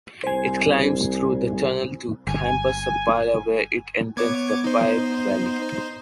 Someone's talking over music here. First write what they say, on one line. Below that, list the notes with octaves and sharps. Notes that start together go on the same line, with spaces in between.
It climbs through the tunnel to Cima Sappada, where it enters the Piave Valley.
C2 C5 G#5
G1 G#5
B3 C#5 D6 G#6
D#4 C5